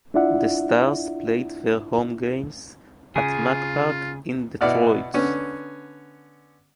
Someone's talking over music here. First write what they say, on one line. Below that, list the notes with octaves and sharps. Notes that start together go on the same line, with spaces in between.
The Stars played their home games at Mack Park in Detroit.
D4 E4 F4 D5 E5 F#5
C#3 F4 G#4
B2 B3 E4 D5 F#5 F6
D3 B3 C#4